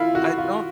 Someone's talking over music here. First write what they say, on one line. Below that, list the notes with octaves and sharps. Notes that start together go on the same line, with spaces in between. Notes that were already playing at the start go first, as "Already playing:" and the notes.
I don't
Already playing: E4 F4
F#4
F4